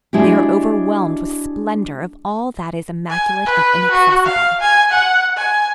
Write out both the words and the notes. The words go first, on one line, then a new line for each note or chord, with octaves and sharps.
They are overwhelmed with splendor of all that is immaculate and inaccessible.
G#3 D4 E4 F#4 G4
G#5
B4
F#4
F5
G#5
F#5
G#5